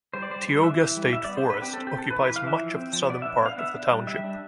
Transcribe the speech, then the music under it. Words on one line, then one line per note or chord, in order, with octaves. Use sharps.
Tioga State Forest occupies much of the southern part of the township.
G3 C5
D5
G3 C5
G3
E3 E5
E3
G3
G3 E5
D5
B3
C5
D4
B4
C4 G4
A4
C4
G4
C4 A4
E3 B4
B4
E3
F5
E3 E5
F3
C4
F3
B3 D5
E5
D4
B3 F5
B3 E5
D4
G3
G3 E5
D4